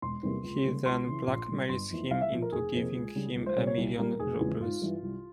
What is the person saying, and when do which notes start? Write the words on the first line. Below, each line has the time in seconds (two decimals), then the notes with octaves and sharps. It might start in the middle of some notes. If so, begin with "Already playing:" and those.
He then blackmails him into giving him a million rubles.
0.02 E1 C6
0.23 E2 C3 G3 A#3
0.43 C#2
0.65 C#3 G3 A#3
0.86 C#2 C6
1.07 C#3 E3
1.27 A#1
1.48 A#2 G3
1.69 G1 C6
1.90 F2 E3 A#3
2.10 C2 F5
2.21 E5
2.32 A#2 F3
2.42 A#4
2.52 F1 G#4
2.73 F2 C3 F3 A#3
2.94 C#2
3.15 C#3 G3
3.36 C#2
3.46 C5
3.57 C3 G3 A#3 C#5
3.67 C#5
3.77 C2
3.98 A#2 G3 A#3 A#4
4.19 F1 G#4
4.40 E2 C#3 F3 G#3
4.60 G#1 F4
4.82 G2 E3
5.03 C2